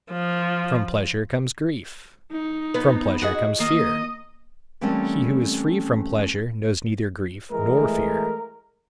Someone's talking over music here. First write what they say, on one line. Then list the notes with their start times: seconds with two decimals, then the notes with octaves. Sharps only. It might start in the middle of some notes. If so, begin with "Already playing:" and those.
From pleasure comes grief, from pleasure comes fear; he who is free from pleasure knows neither grief nor fear.
0.12 F3
2.32 D#4
2.74 B3 B4
3.22 F#4 G#4 D#5
3.60 D#3 A#3 D#5
4.81 E3 G3 A3 A#3 C4 C#4
7.52 E3 G#3 A3 A#4